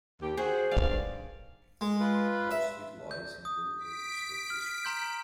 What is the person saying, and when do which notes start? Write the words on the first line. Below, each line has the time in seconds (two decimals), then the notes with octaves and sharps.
Hallstead lies in Blue Ridge School District.
0.22 D#2 G4
0.37 F#4 G#4 C5
0.71 G2 D#3 D5 F5
1.81 G#3
2.00 F4 B4
2.51 E5
3.11 G6
3.45 D#6
3.77 B6 D7
4.50 F6
4.85 A#5 C6 G6